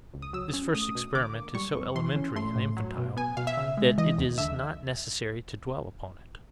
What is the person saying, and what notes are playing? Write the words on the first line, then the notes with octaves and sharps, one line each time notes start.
This first experiment is so elementary and infantile that it is not necessary to dwell upon it.
C#2
D#6
F#3 E6
C#4
A3 D#6
B2
D3 D6
A#3
G3 C#6
F2
E3 C6
C#4
A3 C6
A2
F#3
B2
B3 G#5
B2 F5
E5
C#3
G#3
E3 D#5
D#2
D3 E5